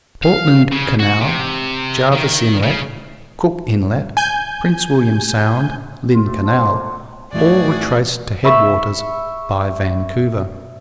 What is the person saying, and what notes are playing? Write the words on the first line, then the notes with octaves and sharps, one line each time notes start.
Portland Canal, Jervis Inlet, Cook Inlet, Prince William Sound, Lynn Canal--all were traced to head-waters by Vancouver.
F5
C#3
F#4
C3
D#3
C#3
G#5 G6
F4
A2
F3
C6
A#3
F#5
G#1 E3 A3 F#4 G#4 D5
E5 B5 C#6 E6